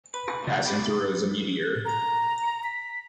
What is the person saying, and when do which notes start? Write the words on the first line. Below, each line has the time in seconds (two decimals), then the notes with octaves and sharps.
Passing through as a meteor.
0.14 B4
0.43 C#2 A#2 E3 F#3 A3
0.65 D#3 B3 G4 A4 C5 B5
1.85 A#5
2.64 B6